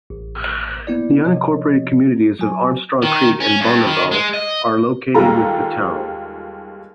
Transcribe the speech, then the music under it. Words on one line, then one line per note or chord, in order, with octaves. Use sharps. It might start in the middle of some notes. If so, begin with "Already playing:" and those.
The unincorporated communities of Armstrong Creek and Bonneval are located with the town.
A1
A#3 B3 E4 D5
C3 F3 C#5 D#5
F#3 G#5
D#3
C#4
G2
D#3
G#3
D#5
D#2 G3 G#3 F4 A4 A#5